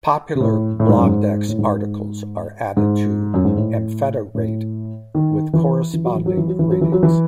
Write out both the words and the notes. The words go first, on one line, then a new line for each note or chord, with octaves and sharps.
Popular BlogDex articles are added to AmphetaRate with corresponding ratings.
C3
A2
A2
G#2
F#2
G#2
A2
G#2
G#2
F#2
G#2
A2
A2
D#3
E3
E3
F#3
E3
F#3
E3
F#3
E3
F#3
E3
F#3
E3